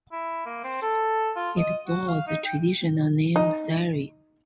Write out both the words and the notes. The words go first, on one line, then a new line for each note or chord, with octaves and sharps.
It bore the traditional name "Sarin".
E4
A#3
C4
A4
F4
D#5
F#4
F5
D#4
G5
D#4